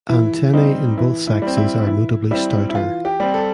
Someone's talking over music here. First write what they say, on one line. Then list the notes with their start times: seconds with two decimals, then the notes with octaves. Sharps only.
Antennae in both sexes are notably stouter.
0.09 E3 E4
0.53 G3 C4 D#4
0.98 E3 E4
1.27 E4
1.42 G3
1.47 C4
1.57 E4
1.86 E3 E4
2.31 G3 C4 E4
2.69 E4
2.75 E3 F4
3.05 G4
3.20 G3 C4
3.34 A4